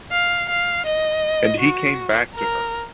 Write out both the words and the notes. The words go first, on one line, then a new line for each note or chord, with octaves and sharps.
And he came back to her.
F5
F5
D#5
F#4
A#4